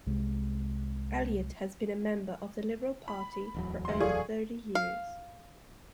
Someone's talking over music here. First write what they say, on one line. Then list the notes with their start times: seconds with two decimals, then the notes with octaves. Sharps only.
Elliott has been a member of the Liberal Party for over thirty years.
0.06 C2 C3 G#3
3.08 B5
3.54 D1 E2 F#3
3.85 D2 C6
4.00 G#4 A4 D5 F5 C#6
4.75 F5